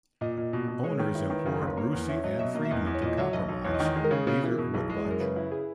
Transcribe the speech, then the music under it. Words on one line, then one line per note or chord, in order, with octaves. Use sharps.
Owners implored Rusie and Freedman to compromise; neither would budge.
A#2 D#5
A#2
B2
B2
G#3 C#5
A#4
D#3 B4
E4
D#3
C#3 C#5
C#5
F#1
B4
A#3 C#5
E2
C#4 E5
F#3 D#5
B2 E5
A#3 D#5
E5
E2 D#5
E2
C#5
A#2 D#5
F#3 E5
B1 D#5
B1
E2 C#5
D#5
D#3
D#5
G#3 G#4
A#4
C#3 G#4
C#3 F#4
E3
B2 E4
B1 G#4
G#3
F#2
A#4
C#3 B4
E4
G#4